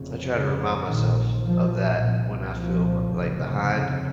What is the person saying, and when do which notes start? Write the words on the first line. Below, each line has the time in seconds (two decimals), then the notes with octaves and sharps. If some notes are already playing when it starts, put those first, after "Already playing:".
I try to remind myself of that when I feel, b like, behind
Already playing: F1 F2 C#3
0.33 C#3
0.88 A#1 A#2 D#3
1.45 F3
2.01 C2 A#2
2.57 F3
3.13 F1 D#2 C#3